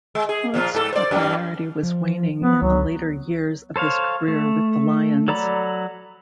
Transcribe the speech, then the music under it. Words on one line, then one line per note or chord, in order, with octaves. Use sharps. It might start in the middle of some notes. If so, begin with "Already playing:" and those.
Fontes popularity was waning in the later years of his career with the Lions.
G#3
G#4
A#2 F3 F4
G#2 A4
C5 D5
F#2 G3 A#3
F3
F3 B3
C#2 F#3
A4 C5 C#5 F5
A3
F#3 A4 D5 A#5 B5